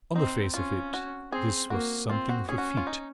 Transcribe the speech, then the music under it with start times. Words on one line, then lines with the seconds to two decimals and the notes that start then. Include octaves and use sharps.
On the face of it this was something of a feat.
0.15 C4 D#4
0.54 C#4 F4
0.94 F#4
1.31 C4 G#4
1.70 A#3 F#4
2.09 C4 F4
2.29 F#4
2.48 C#4 G#4
2.58 F#4
2.77 F4
2.87 D#4